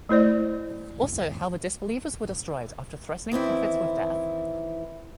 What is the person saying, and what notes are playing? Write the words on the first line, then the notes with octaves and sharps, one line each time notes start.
Also how the disbelievers were destroyed after threatening prophets with death.
A3 E4 C5 D5
D#3 E3 C4 E4